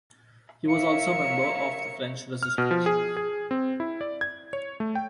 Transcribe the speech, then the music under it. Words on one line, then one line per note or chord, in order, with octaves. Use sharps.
He was also member of the French Resistance.
A#4 C#5 E5 F5 C#7
F6
B2
F3
G#4
G#4
C4
E4
D5
G#6
C#5
A3
G5